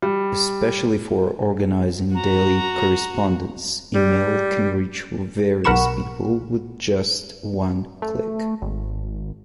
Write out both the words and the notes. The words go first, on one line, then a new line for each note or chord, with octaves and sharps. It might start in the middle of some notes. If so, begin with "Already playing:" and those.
Especially for organizing daily correspondence, email can reach various people with just one click.
G3
F#4 A#5
G3
B1 A#4 F#5 B5 C#6 E7
A3
G#1